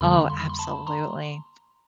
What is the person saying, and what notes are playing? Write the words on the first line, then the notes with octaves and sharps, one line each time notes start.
Oh, absolutely,
F2 D3 G3 A#3 B5
C6
B5
C6
B5
C6
A5 B5
A#5 C6